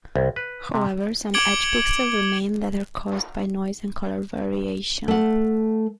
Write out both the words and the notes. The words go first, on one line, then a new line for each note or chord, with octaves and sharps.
However, some edge pixels remain that are caused by noise and color variation.
C2
B4
C3
D6 G#6 C#7 D7 F#7 G7
A3 F#5